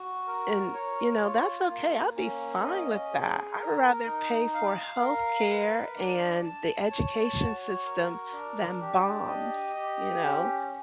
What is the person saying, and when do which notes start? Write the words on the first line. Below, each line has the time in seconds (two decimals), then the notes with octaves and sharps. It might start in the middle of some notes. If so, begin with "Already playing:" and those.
b and, you know, that's okay, I'd be fine with that, I'd rather pay for healthcare and the education system, than bombs, you know?
Already playing: F#4
0.27 A#4
0.74 C#5
1.21 F4
1.69 A#3
2.16 C#4
2.63 D#5
3.12 G#4
3.59 A#4
4.06 D#4
4.54 F5
5.01 A#4
5.49 B4
5.96 D4
6.43 A5
6.91 C#5
7.38 F#4
7.85 A#4
8.33 D4
8.81 G4
9.27 D#5
9.75 G4
10.23 C#4